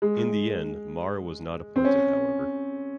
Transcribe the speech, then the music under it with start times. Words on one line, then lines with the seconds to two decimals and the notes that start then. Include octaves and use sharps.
In the end, Mara was not appointed, however.
0.02 G#3
1.76 C4
1.85 C#4